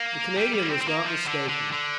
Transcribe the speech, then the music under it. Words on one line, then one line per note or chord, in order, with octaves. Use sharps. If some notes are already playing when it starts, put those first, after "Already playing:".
The Canadian was not mistaken.
Already playing: A#3
G3
G3
A#3
C4
C4
A#3
F3
D3
D3
D3